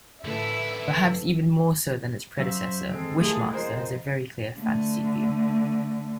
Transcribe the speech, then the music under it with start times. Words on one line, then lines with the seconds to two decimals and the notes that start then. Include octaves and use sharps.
Perhaps even more so than its predecessor, "Wishmaster" has a very clear fantasy theme.
0.25 A2 D3 E3 A3 E4 E5
2.38 F#2 F#3 C5 E5 F5
2.90 G#3 C4 A4
3.20 C3 D#3 A3 E4 F4 G#4 A5
3.53 F2 F4 A#4 C5 D#5
4.58 D3 A3